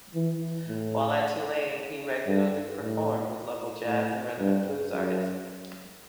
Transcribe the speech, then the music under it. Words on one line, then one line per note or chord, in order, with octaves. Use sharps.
While at Tulane, he regularly performed with local jazz and rhythm and blues artists.
E3
A2
G2
A2
A2
G2
F#2